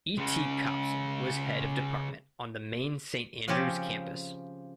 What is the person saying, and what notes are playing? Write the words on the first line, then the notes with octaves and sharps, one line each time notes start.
E. T. Copson was Head of Department, on the main Saint Andrews campus.
C#3 G#3
C#3 F3 C4 C#4 G4